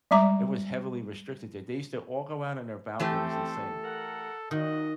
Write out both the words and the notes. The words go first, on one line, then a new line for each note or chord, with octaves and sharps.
it was heavily restricted there. They used to all go out on their balconies and sing.
G3 G#3 E5 A#5 D6
E3 A3 C4 G4 A4
A#4 F#5
A#2 D#3 F#4 D#5